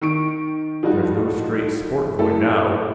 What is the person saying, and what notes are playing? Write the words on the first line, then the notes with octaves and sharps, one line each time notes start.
There's no straight sport going now.
D#3 C#6 D7
F3 G3 D#4 F#4
A3 E4 A4